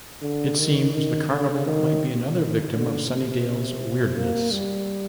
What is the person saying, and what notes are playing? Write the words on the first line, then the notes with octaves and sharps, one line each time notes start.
It seems the carnival might be another victim of Sunnydale's weirdness.
D3
D#3
D#3
D3
D#3
D#3
D3
C3
A#3
G3